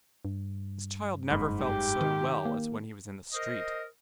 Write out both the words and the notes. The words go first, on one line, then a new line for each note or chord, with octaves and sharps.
This child never felt so well as when he was in the street.
G2
F#1 G#2 B5
G4
D#3
A#3
A#4 C5 D#5